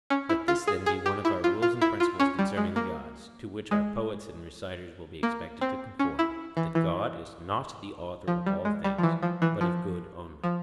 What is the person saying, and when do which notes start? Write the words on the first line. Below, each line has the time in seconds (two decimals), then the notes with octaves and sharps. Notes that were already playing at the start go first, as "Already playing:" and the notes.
Let this then be one of our rules and principles concerning the gods, to which our poets and reciters will be expected to conform,--that God is not the author of all things, but of good only.
0.10 C#4
0.29 E4
0.48 F4
0.67 G#4
0.86 G#4
1.06 G4
1.25 E4
1.44 F4
1.62 F4
1.82 E4
2.00 F4
2.20 C#4
2.39 G3
2.57 G#3
2.76 A#3
3.71 G#3
5.23 A#3
5.61 C4
5.99 C#4
6.19 E4
6.57 E3
6.75 E3
8.28 F3
8.46 G3
8.65 G#3
8.84 G3
8.98 F3
9.03 E3
9.23 F3
9.42 E3
9.61 F3
10.44 F3